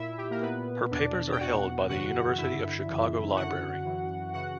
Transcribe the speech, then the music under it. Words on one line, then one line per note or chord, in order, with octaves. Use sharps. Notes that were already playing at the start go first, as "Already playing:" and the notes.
Her papers are held by the University of Chicago Library.
Already playing: A#2 E4 E5
G4
A#3 A#4
A#2 B3 B4
E2 B2 D4 D5
G5
E2 B2 F#4 F#5
F#2 C#3 E3 F#4 F#5
G2 D3 E4 E5
F#2 C#3 E3
F#2 D3 F#4 F#5
F#2 E3
C#3 E3 F#4 F#5